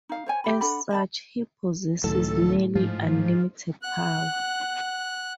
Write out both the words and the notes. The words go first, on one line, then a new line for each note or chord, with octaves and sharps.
As such, he possesses nearly unlimited power.
D#4 F5
C5 C#5 G#5
G4 A5 B5
D4 A4 F#5 B5
D#5 A5 B5
C#2 A2 D#3 F#3 A4
G#2 F3
F#5 F#6